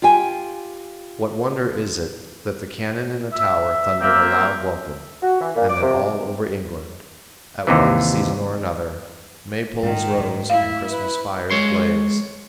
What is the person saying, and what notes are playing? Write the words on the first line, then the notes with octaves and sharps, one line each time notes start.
What wonder is it that the cannon in the Tower thundered a loud welcome, and that all over England, at one season or another, maypoles rose and Christmas fires blazed?
F4 G4 G5 G#5
E5
A#3 C4 E5
F#4
E3
A#2
D6
C3
D#2 C3 E3
G#2 D#3
G#2 A3
E4 F5
B4
G#3 C#5 C6